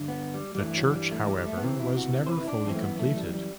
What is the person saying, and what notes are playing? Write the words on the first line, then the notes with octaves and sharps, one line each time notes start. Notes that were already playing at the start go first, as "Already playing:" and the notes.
The church, however, was never fully completed.
Already playing: G2 D3
B3
G3
G3
G2 E3 A3
F#3
G3
A3
G3
A3
B3
E2 C3 E3 C4
E4
F#4
C5
B4
E4
D4
F#2 E3 C4
A3
B3
A3
G3
G3